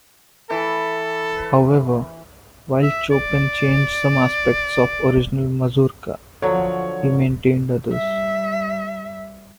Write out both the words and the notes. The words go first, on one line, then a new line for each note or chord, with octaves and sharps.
However, while Chopin changed some aspects of the original mazurka, he maintained others.
E3 A4
E5
D5
D3 F3 F#3 C#5
G3 E5